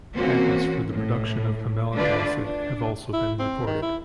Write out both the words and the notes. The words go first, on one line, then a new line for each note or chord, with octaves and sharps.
Patents for the production of pimelic acid have also been reported.
E3 A#3 C4 C#4 F#4
A2
D3 A3 D4 F4 B4 D5
D4
E4
C4
D#3
E4